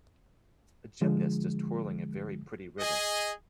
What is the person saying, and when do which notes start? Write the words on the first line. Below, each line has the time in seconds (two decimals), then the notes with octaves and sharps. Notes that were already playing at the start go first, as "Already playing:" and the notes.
A gymnast is twirling a very pretty ribbon.
1.01 D3 F3 G#3
2.80 G#4 D#5